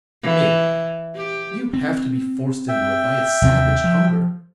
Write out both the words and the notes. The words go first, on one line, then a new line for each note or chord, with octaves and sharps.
ME: You have to be forced into it by a savage hunger.
E3
G4
C4
E5 G5
D#2 C3 C4
F3